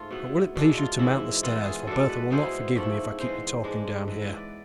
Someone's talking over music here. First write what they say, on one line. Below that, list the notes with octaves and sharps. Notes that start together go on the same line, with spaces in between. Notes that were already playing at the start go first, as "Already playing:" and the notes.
But will it please you to mount the stairs, for Bertha will not forgive me if I keep you talking down here.
Already playing: G#2 A3 F4 A4
B2 B3 E4
B2 G#3 D4 E4
F4
G#2 E3 G#3 E4
E3 B3 E4 F4
G#4
B2 G#3 D4 A4
B4
B2 G#3 B3 E4 C5
G#2 F3 A3 E4
E3 G#3 B3 C5
G#2 G#3 D4
E3 B3 E4 B4
B4
D5